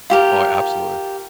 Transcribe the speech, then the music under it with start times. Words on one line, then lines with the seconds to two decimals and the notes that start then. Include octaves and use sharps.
Oh, absolutely.
0.10 F4 G4 A#4